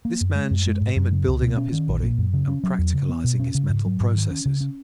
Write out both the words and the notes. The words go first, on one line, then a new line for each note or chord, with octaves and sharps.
This man should aim at building up his body and practicalizing his mental processes.
A#3
F#2
G#3
F#2
G#3
G#2
F#2
C#3
C#2
B2
C#4
D#3
A#1
A#2
F#2
C#3
C#4
F#3
E2
C#3
B3
B2
C#4
C#3
G#2
F#3
G#2
D#3
C#4
C#3
C#4